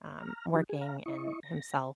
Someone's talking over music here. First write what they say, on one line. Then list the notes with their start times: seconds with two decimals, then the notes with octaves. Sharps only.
um, working and himself.
0.20 A#5 F6
0.54 F3 D#4 F#4 G4
0.69 G#4
0.81 F5 A#5
1.06 E4 D#5 C#6
1.43 A#6